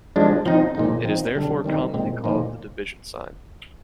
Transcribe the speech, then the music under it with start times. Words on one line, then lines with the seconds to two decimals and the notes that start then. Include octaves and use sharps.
It is therefore commonly called the division sign.
0.16 F3 G#3 D4
0.46 F3 C4 D#4
0.75 A#2 F3 G#3 D#4
1.04 F3 C4 D#4
1.35 D3 G3 D4
1.64 D#3 G3 C4 D#4
1.94 A#2 G#3 C4
2.24 A#2 F3 A#3 D#4